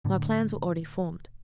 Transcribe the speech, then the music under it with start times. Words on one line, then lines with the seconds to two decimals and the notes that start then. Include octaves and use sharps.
My plans were already formed.
0.05 A2 D3